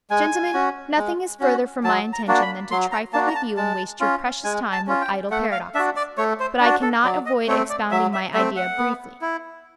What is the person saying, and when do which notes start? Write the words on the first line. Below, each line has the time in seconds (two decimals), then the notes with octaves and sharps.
Gentlemen, nothing is further from my intention than to trifle with you and waste your precious time with idle paradoxes; but I cannot avoid expounding my idea briefly.
0.11 G#3 G#5
0.54 C#4 F#4
0.97 G#3
1.40 C#4 F#4
1.84 F#3 A5
2.13 A#5
2.28 A#3 D4 F#4
2.42 B5
2.71 F#3 C6
2.92 A#5
3.13 A#3 D4 F#4 A5
3.27 A#5
3.35 A5
3.57 G#3 A5
4.00 C#4 F4
4.44 G#3 G#5
4.72 A5
4.87 C#4 F4
5.02 G5
5.30 A3 F#5
5.52 F5
5.75 D4 F#4 E5
5.96 D5
6.18 A3 C#5
6.40 C5
6.60 D4 F#4
6.82 A4
7.04 F#3 D5
7.26 D#5
7.47 A3 C4 C#5
7.70 D5
7.91 F#3 E5
8.13 E5
8.34 A3 E5
8.39 C4
8.56 F#5
8.78 B3
9.21 E4